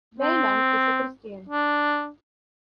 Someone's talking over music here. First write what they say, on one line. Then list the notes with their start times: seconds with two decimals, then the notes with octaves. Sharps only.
Bailon is a Christian.
0.20 C4
1.49 D4